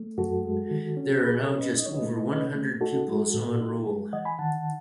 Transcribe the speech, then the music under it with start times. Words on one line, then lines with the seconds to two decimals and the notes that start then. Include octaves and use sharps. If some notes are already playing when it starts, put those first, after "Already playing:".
There are now just over one hundred pupils on roll.
Already playing: A3
0.18 F#2 F#4 A4
0.45 G#3
0.71 D#3
0.97 C#4
1.23 B2 G#4 B4
1.41 A4 C#5
1.49 C#4
1.58 B4 D#5
1.76 D#4 D#5
1.86 C#5
1.94 B4 D#5
2.02 A3
2.28 C#4 B4 D#5
2.55 A3
2.81 D#4 F#4 A4
3.08 G#3
3.34 A2
3.60 D#4
3.86 G#3 G#4
4.13 E3 D#5 F#5
4.25 G#5 B5
4.39 D#3 F#5 A5